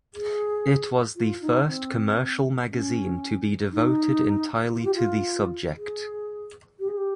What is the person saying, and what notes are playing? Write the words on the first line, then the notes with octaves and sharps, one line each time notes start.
It was the first commercial magazine to be devoted entirely to the subject.
G#4
F4
D#4
C4
C#4
D#4
F4
G4
F4
G#4
G4
G#4
G4